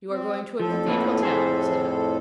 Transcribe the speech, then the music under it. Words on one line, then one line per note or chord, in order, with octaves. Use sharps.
You are going to a Cathedral town?' said I.
C4
F2 A2 F3 A4
F3 A#3 B4
G#4 C5